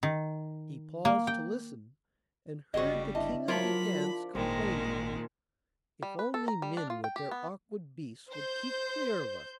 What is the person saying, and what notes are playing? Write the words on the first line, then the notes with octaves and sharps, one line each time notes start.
He paused to listen, and heard the King of the Ants complaining: 'If only men with their awkward beasts would keep clear of us!
D#3
A#3
G5
G1 C#3 G3 F#4 G#4 D#5
D4 E4 D#5 E5
F3 F#3 F4 A#4 C#5 B5 D6
G#1 A#2 D#3 G#3 C5 G5
G3
B4
A4
A#5
G3
D4
F4
G5
G4
B3
C5 G6